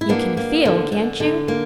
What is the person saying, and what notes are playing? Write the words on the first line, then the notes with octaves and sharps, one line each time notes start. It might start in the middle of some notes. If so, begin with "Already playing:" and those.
"You can feel, can't you?"
E4
A#3 B3 D4
A#3
D3
D3
D3
A#3